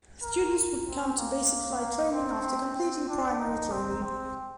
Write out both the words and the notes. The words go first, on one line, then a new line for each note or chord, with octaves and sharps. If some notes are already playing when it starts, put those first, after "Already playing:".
Students would come to Basic Flight Training after completing Primary Training.
A#4
C4
A#3
C4
C4
D4
D#4
C4
C4